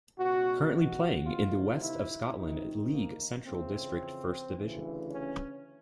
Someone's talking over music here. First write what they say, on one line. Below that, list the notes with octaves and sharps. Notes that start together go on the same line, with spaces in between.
Currently playing in the West of Scotland League Central District First Division.
C#2 B2 F#4
F#4
D2 C3 D#3 F4
E4
D2 C3 D#3 D#4
A#3
F2 C#3 E3 C4
D2 C#3 E3
C#4